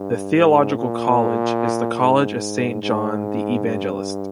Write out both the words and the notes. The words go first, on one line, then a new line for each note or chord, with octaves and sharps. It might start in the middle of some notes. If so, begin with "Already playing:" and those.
The theological college is the College of Saint John the Evangelist.
Already playing: G2
G#2
A#2
G#2
G#2
G2